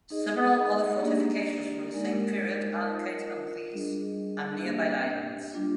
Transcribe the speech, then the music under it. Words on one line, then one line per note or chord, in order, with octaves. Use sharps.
Several other fortifications from the same period are located on this, and nearby islands.
D#4 G#4 D#5
A#3 D4 G4 D5
G#3 D#4 A#4
F4 A#4 D#5
G3 D4 G#4 D#5
A#3 D4 G4
G3 D4 F4